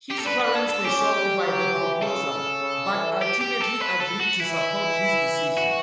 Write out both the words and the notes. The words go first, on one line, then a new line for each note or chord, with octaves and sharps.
His parents were shocked by the proposal, but ultimately agreed to support his decision.
G4
A4
D4 B4
B4
A4
A4
C#4 G4
G3
F#3
E3
C#3 A4
C#3
E3
G4
G4
A4
B4
A4
F#4
E3 E4
F#4